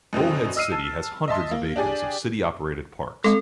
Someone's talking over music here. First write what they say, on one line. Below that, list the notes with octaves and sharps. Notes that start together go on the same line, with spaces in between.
Bullhead City has hundreds of acres of city-operated parks.
F#2 B2 D3 C4
D#5 E6 F6 C7 D#7
A5
D#5 E5 A5 C6
A#3
D4 G4 G#4 D5
G#3 C4 A4